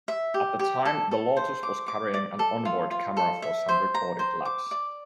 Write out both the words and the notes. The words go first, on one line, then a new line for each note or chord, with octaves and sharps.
At the time the Lotus was carrying an onboard camera for some recorded laps.
E5
G4
G4
A4
A4
C5
D6
D6
D5
A4
F4
F4
A4
E5
C5
A#5
C5
D6
D5